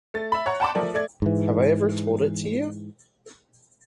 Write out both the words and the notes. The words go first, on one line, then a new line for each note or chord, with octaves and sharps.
Have I ever told it you?
A3 A6
E5 B5
C#5 F#5 A#5
F#5 G5 A5 B5 C6 D6
F3 A3 A4 A#4 D5
A3 D5 G#6
G#2 E3